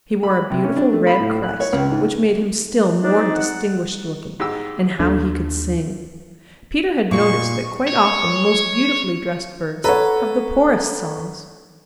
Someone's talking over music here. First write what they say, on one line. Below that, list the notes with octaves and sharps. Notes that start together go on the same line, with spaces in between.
He wore a beautiful red crest which made him still more distinguished looking, and how he could sing! Peter had noticed that quite often the most beautifully dressed birds have the poorest songs.
B5
C3
C#4
D4
A3
B5
A2
F#6
C#5
C#2
G#2
C4 D4 D#4
F#5
G#2 G4 E6
D#2 A3 D4
A#2 A#3 C#6
C#5
A4 B4 C#5 F#5 A#5